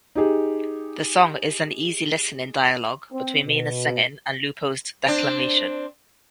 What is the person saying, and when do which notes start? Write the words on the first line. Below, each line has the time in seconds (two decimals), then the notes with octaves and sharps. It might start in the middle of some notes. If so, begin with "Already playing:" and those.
The song is an easy listening dialogue between Mina's singing and Lupo's declamation.
0.15 D#4 G4 G#4
3.12 C4
3.45 B2
5.06 C4 D4